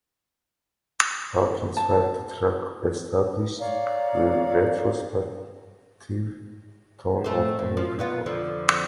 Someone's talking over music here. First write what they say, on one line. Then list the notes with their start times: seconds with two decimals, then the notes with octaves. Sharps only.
Hawkins felt the track established the retrospective tone of the new record.
1.77 A5
3.59 C#5 D5 F5 A#5
7.24 A2 A3 C5
7.59 A2
7.77 F3
7.99 B2 B3 F4
8.26 F2 D3 F3